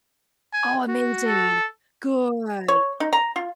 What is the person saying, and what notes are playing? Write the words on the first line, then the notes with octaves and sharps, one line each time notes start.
Oh, amazing. Good.
G#5
F#4
A4
C#5
D#4
A#5
F4